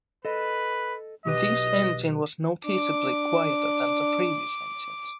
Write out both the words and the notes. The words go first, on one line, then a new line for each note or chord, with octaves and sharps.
This engine was noticeably quieter than the previous engines.
A4 B4 D#5
B1 G4 B4 D#5
D4 D6